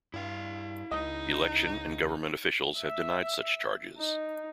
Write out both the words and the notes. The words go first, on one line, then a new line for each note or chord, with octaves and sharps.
Election and government officials have denied such charges.
G2 E4 F5
C#2 D#4 D#5
E5
D#4